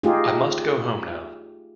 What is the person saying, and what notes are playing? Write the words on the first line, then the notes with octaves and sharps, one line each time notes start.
I must go home now.
A3 D#4 F4 G4 G#4